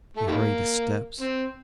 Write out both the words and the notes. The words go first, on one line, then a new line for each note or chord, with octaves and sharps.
He hurried his steps.
A3
D#3 G3 A#3
C4